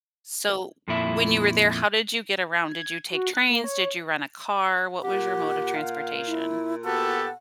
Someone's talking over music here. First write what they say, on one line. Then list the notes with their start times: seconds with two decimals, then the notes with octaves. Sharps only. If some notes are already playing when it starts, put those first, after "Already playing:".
So, when you were there, how did you get around? Did you take trains? Did you rent a car? What was your mode of transportation?
0.88 F2 A#2 E4 E5
2.67 G#6
3.10 F#4
3.33 F#6
3.49 A#3
3.64 C#5
5.03 A#2 G4 F#5
5.75 F5
6.27 E4
6.84 B3 F#4 G4 A4 F#5